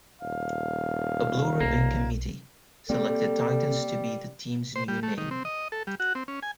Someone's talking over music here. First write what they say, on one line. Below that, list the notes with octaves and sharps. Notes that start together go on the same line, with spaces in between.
A blue-ribbon committee selected "Titans" to be the team's new name.
D#1 F5
B1 A#3 C4
G3 A#3 C4 A4
C5
G3
A3
D#3
C4
D#5
A4
G3
F#4
C4
C#4
G#5